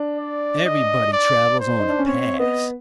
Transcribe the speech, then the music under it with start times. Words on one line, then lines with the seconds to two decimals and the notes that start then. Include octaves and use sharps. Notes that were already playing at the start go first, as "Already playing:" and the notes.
Everybody travels on a pass.
Already playing: D4
0.18 D5
0.65 D#5
1.13 D5
1.60 C5
1.80 D#4
1.89 D4
1.99 C#4
2.07 C4 C#5
2.39 B3 D#5